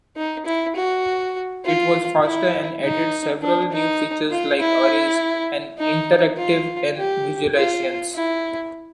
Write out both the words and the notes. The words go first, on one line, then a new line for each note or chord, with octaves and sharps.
It was faster and added several new features like arrays and interactivity in visualizations.
D#4
E4
F#4
F4
E4
D#4
D4
D#4
F4
E4
D#4
F4
G4
F4
E4